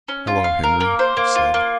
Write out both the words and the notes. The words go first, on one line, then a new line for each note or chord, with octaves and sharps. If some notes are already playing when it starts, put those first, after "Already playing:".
"Hello, Henry," he said.
C#4
F4
F5
A#4
A#3
C5
A#3
F4
A#3